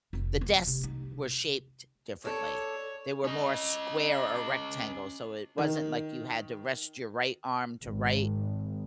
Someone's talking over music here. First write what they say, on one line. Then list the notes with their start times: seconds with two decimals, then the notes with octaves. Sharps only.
the desks were shaped differently, they were more square or rectangle, so it wasn't, like, you had to rest your right arm to write
0.13 F1
0.41 B3
0.67 C3
0.83 D#4
2.25 A4 C#5 D5
3.24 C#4 D#5
5.58 D#3
7.83 G#1